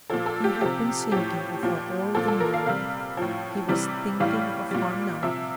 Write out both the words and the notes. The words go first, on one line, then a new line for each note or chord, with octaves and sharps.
He had been thinking of her all the morning; he was thinking of her now.
A#2 F3 A4
A4
G4
C3 F3 G4
A2 F3 G4
A#2 F3
A#2 F3 A4
A4
A#4
F5
C3 G3 F5
A2 F3
C3 E3 G3
A2 E3 G3 F5
A#2 G3
C3 F3 E5